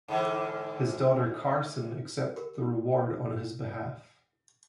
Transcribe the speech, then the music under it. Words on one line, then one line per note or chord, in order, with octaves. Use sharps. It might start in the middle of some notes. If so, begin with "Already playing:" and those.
His daughter Carson accepted the award on his behalf.
G#2 D3 E3
G4 A#4